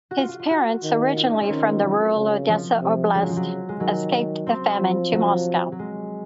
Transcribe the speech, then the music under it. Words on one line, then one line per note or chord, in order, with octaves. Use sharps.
His parents, originally from the rural Odessa Oblast, escaped the famine to Moscow.
F#4
F4
F4
F4
F#4
D#3
F4
D#4
C#4
C4
D#3 A#3
F#3
C#3
F3
C3
C#3 G#3
F#3
F3
F#3
G#3
D#3 F#3
C4
F3
F#3
F#3
G#3